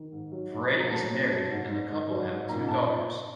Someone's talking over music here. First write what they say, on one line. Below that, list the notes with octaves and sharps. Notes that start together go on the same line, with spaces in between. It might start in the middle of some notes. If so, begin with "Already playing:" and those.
Frye is married and the couple have two daughters.
Already playing: D#3
G#2
F#3
G#2
F#3
A#5
F#3 A5
F#3
F#3
G#2
G#2
G#2
F#3
G#2
A#2 A#5
A#2 A5